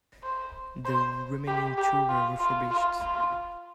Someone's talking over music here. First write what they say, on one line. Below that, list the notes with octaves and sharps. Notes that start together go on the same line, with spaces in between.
The remaining two were refurbished.
C5
C5
G4
G4
F4
F4
F4
F4